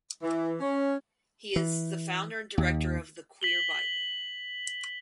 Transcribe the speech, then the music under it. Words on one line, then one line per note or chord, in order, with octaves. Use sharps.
He is the founder and director of "The Queer Bible".
E3
C#4
E3
D#2
B6 F#7 G7